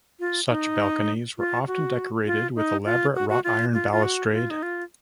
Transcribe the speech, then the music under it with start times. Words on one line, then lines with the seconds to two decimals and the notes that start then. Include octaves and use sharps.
Such balconies were often decorated with elaborate wrought iron balustrade.
0.20 F4
0.49 D#4
1.38 F4
1.67 F#4
2.26 F4
2.56 D#4
2.85 F4
3.15 F#4
3.29 F#4
3.44 F4
3.74 F4
3.92 F4
4.03 F#4
4.33 F4
4.50 D#4
4.63 F4